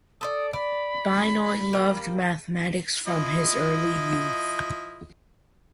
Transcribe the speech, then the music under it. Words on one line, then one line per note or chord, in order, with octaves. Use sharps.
Binoy loved mathematics from his early youth.
A4 B4 D5 D#6
D5 B5
G3 A#3
F3 E4 D#5